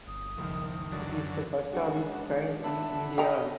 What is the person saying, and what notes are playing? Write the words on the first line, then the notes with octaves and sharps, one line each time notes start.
It is first of its kind in India.
G1 D#6
F#1 C#2 D#3 F3
F#2 D3 E3
C#3 G#3 D4 F#4
F3 D4 E4 E5 F#5 A5 B5
D#5 G5 A#5